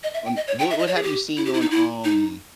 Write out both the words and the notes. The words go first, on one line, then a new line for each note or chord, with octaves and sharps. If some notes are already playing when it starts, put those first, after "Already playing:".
um, what what have you seen on, um,
D#5
E5
G5
D#5
C#5
G5
E5
D#5
C#5
G#4
G4
E4
G4
E4
D#4
E4
D#4